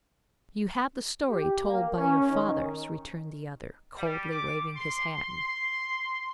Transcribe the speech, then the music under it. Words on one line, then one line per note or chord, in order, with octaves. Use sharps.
"You have the story told by your fathers," returned the other, coldly waving his hand.
G4
A#3
C#4
D#3
G3
D6
C6
C6